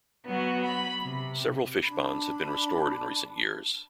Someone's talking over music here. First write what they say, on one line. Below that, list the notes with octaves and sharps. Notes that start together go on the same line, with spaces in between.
Several fishponds have been restored in recent years.
F#3 B3 F#4
B5
C3
D4 B5